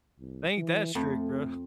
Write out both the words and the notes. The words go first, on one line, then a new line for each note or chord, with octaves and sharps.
they ain't that strict, bro.
C2
E3
F2 A3